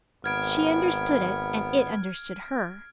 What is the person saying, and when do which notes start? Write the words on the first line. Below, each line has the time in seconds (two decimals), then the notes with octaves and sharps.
She understood it, and it understood her.
0.24 G#1 B3 F6 G#6 D7